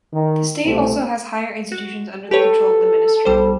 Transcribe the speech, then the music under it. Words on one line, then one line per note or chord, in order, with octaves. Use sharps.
The state also has higher institutions under the control of the ministry.
D#3
C2 B2 A3 C4
F#4
G4 A4 B4 C#5
B1 G3 C5